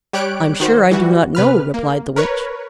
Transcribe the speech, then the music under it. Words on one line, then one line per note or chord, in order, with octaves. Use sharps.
"I'm sure I do not know," replied the Witch.
G3 G4 C#5 F#6 D7
D#3 F#4 C5
E3 G3 F#4
C3 B4 F6
A#3
A#4 B4 C#5